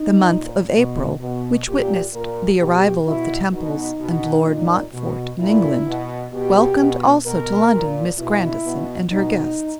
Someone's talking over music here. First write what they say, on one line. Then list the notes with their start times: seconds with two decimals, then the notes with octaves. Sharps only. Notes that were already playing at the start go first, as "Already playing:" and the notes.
The month of April, which witnessed the arrival of the Temples and Lord Montfort in England, welcomed also to London Miss Grandison and her guests.
Already playing: D#4
0.27 A#2
0.75 B2
1.21 B2
1.67 A#2 G4
2.13 A#2 A#4
2.60 B2 G4
3.07 B2 E4
3.53 B2 D#4
4.00 B2
4.46 A#2
4.92 B2
5.39 A#2 E4
5.87 B2
6.33 B2 G4
6.80 B2
7.25 B2 A#4
7.72 A#2
8.18 B2 E4
8.65 B2
9.11 B2 D#4